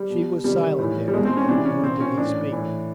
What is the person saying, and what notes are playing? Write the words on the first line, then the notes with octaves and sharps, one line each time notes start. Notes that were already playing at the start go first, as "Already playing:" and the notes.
She was silent after that; nor did he speak.
Already playing: G3
B2
C3 D#3 G3
A2 E3
G3
B2 G#3
C4
C#4
C3 E3 D4
C#4
A#2 C4
C#4
A2 E3 D4
A2 E3